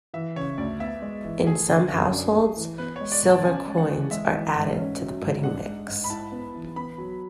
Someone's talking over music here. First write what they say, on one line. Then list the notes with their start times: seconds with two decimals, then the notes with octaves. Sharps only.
In some households, silver coins are added to the pudding mix.
0.14 E3 E5
0.36 C#3 C#5
0.58 D2 D5
0.80 B3 E5
1.02 G#3
1.24 E3
1.46 A3 G#4
1.69 D3
1.90 F#2
2.12 D4
2.35 A3
2.57 E3
2.78 B3 B4
2.96 G#3 C#5
3.12 D5
3.23 B2
3.29 A5
3.45 C#4 G#5
3.67 G#3
3.77 F#5
3.89 E3
4.11 G#3 E5
4.33 E3
4.55 G#2
4.77 C#4
4.99 F#3
5.21 G#2
5.44 D4 F#5
5.66 G#3
5.88 G#2
6.04 B5
6.10 E4 A5
6.32 B3
6.54 E3
6.76 B3 B5
6.98 F#3